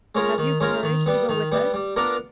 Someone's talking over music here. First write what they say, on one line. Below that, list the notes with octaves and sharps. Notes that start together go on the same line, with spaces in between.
Have you courage to go with us?
G#3 C#4 F4 A#4
D#3
G#3 C#4 F4 A#4
D#3
G3 B3
D#3
G3 B3
G3
B3 D4 F4 A#4